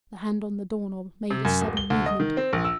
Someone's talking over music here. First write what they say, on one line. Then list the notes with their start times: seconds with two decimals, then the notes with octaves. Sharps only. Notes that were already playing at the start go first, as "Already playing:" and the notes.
The hand on the door-knob made a sudden movement.
1.31 C3
1.45 F#2
1.61 D1
1.77 G7
1.90 D2
2.06 D#5
2.20 D#3
2.37 C4
2.53 A#1
2.65 E6